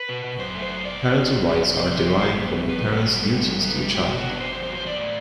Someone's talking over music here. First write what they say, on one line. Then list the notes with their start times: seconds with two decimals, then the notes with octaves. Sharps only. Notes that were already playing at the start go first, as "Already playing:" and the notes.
Parental rights are derived from the parent's duties to the child.
Already playing: B4
0.09 B2
0.24 B2
0.39 F#2 C5
0.55 A3
0.62 C5
0.70 F#2
0.85 B2 D5
1.01 B3
1.16 B2
1.31 E2
1.47 A3
1.61 E2
1.77 C3 C5
1.84 D5
1.92 A3 C5
2.07 C3
2.23 F#2
2.38 B3
2.53 F#2
2.69 G2 B4
2.84 F#3
2.92 A4
2.99 G2
3.15 B3
3.29 G3
3.45 F#2
3.60 B3
3.76 G3
3.90 A2 G4
4.06 B2 F#4
4.18 B3 F#4
4.29 D4
4.37 B2 C5
4.52 E2 C5
4.63 C5
4.68 F#3
4.75 C5
4.82 E2 D5
4.98 A2